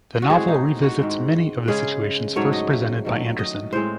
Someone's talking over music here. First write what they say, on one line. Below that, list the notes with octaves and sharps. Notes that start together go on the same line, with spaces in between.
The novel revisits many of the situations first presented by Anderson.
F#4
A2 G#3 C4 G#4
D#4
F#4
G#2 D#3 G#3 C4
C#3 G#3 C#4 G#4
G#2 F#3 A3 C#5
D#5
E5
D#3 F#3 A3
D#5
A2 G#3 C4 C5